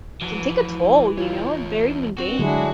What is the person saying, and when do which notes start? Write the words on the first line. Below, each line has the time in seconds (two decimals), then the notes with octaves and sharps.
can take a toll, you know? Very mundane.
0.22 E3 F3 F#4
1.18 E2 F4 C#5
2.18 G2 C4 F#4
2.39 D3 F#3 G#3 D4 E4 G#4